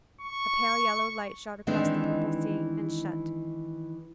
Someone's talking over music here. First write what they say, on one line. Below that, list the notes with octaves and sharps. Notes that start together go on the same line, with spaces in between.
A pale yellow light shot across the purple sea; and shut.
C#6
D#3 E3 G#3 C4 D4